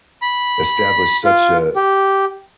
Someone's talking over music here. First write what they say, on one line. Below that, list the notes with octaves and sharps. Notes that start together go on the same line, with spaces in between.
establish such a
B5
F4
G4